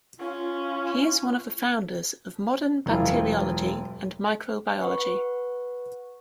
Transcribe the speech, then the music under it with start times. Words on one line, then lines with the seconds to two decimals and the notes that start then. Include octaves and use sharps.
He is one of the founders of modern bacteriology and microbiology.
0.19 C#4 F4
2.86 E1 F#2 E4 F4
4.81 B4 F#5 C#6